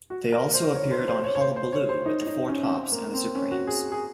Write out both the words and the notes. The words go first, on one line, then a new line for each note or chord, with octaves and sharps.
They also appeared on Hullabaloo with the Four Tops and the Supremes.
F#4
A#4
C5
C#5
C5
C5
C#5
C#5
C5
C5
C#5
C5
D#4
D#4
C#4
C#4
C4
A#3
C4
C#4
F#4
G#4
G#4